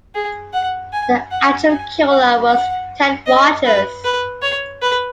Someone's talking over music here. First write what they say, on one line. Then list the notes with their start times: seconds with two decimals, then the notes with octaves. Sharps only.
The actual killer was Ted Rogers.
0.15 G#4
0.53 F#5
0.92 G#5
1.31 F#5
1.70 G#5
2.09 F#5
2.48 F#5
3.26 D#5
3.65 B4
4.04 B4
4.42 C#5
4.82 B4